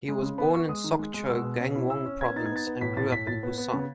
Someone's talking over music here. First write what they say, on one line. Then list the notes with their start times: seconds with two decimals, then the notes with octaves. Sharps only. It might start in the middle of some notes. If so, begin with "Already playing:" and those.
He was born in Sokcho, Gangwon Province and grew up in Busan.
0.08 G#3
0.23 C#3
0.38 B3 B5
0.54 B3 C#6
0.69 G#3 D#6
0.84 D#3
0.99 G#3
1.14 G#3
1.29 B2 E6
1.45 B2
1.59 C#4
1.75 E4
1.90 C#4 E6
2.06 C#4
2.21 B3 G#6
2.36 D#4 A6
2.46 G#6
2.52 B3 A6
2.67 B3
2.81 A2 B6
2.97 A2 A6
3.12 A2 B6
3.27 A2 A6
3.43 B3
3.58 B3
3.73 C#3